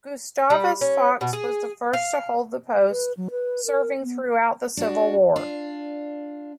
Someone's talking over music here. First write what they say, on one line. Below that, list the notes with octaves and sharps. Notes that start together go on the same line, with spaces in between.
Gustavus Fox was the first to hold the post, serving throughout the Civil War.
G3
C#4
B2
G#4
F5
B4
F#3
B4
A#4
B3
D4 F#4
D4 F4